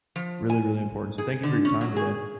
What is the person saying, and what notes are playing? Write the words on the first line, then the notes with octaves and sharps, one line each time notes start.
really, really important. So thank you for your time today.
F3
G#5
G#4
D3
C#4
F#3
G#4